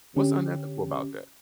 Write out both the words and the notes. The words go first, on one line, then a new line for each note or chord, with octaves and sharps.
What's unethical about that?"
D3 C#4 G4